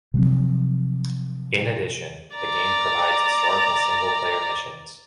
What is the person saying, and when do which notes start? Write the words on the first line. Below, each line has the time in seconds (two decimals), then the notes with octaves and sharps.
In addition, the game provides historical single-player missions.
0.14 C3 F3 F#3 C4
2.35 D5 A#5